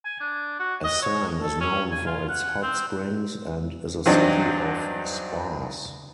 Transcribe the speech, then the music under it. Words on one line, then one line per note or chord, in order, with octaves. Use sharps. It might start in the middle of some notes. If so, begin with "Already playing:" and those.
Asan is known for its hot springs and is a city of spas.
G#5
D4
F#4
D#5
C#5
A4
C#4
G#5
F4
F#5
C4
E2 G2 F#3 C4 D4 D#4